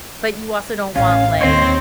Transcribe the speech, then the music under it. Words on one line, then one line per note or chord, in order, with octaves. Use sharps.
But you also don't want, like
A1 C#4 F5
D#2 C4 C#5 D#5 C6